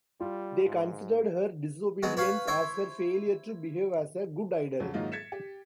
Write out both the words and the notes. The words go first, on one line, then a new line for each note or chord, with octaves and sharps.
They considered her disobedience as her failure to behave as a good idol.
G3 F4
G#2
F#3 G#3 B3
B4 C#5 F5 F#5 B5
E4 C5 C#5 E5
F2 C#3 F#3
G#2 D#3 F#3 A#3 D#4 F4
G#6 A6 B6 C#7 E7
G4